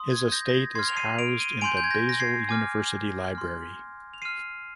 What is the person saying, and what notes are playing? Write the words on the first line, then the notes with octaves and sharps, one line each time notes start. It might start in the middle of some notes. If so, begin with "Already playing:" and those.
His estate is housed in the Basel University Library.
Already playing: C6 D#6
G#6
G6 A#6
A#6
G#6
C6 F6 G#6 C7
F7
C7 D#7
D7 F7
D#7 G7
G#5 C6 G6 D7 F7
G6
G#6
G6 A#6
A#6
G#6 C7
G#5 D6 F6
C6 F6
F7
C6 F6 C7 D#7